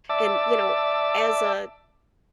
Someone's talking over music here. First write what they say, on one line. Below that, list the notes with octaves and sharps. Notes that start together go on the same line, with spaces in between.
and, you know, as, uh,
D5 E5 A5